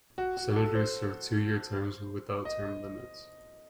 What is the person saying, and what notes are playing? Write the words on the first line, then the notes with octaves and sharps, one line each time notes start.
Senators serve two-year terms, without term limits.
F#4
F#4
A4
C5
D#5